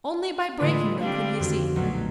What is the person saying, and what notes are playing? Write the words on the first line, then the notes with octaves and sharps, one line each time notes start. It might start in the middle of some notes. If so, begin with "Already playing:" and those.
Only by breaking them could he see.
A2 D3 E3 G#3 F4 B4
G3 C4 D4 F5
F2 D#3 F#4
B1 A#2 F#3 A3